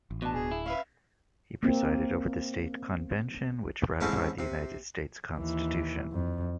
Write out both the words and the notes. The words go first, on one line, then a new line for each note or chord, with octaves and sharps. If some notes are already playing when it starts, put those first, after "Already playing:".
He presided over the state convention which ratified the United States Constitution.
A1
B2 D4 A5
D1 G#4
E4
C#4 B4 E5 F5
A#3 C4
A1 G#2 C4 C#4 E4 A5
C3
D#2 E3
F2